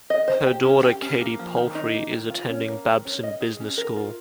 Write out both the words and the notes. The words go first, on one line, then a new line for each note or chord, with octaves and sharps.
Her daughter Katy Palfrey is attending Babson Business School.
D#5
C5
G4
C#4
G4
C#4
A#3
F3
D#3
D#4
A#3
D#3
F4
C#4
A#3
D#3
C#4
D#5
G#4
C#4
A#4
F4